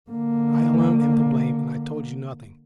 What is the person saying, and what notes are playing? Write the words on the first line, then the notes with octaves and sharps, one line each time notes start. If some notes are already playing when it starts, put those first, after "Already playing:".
I alone am to blame, and I told you nothing.
D3 A#3